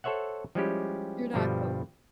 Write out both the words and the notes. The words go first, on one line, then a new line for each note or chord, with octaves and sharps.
you're not going
A4 C5 C#5 E5 F#5
F3 G3 G#3 C#4 E4 G4
G2 B2 D3 F3 G3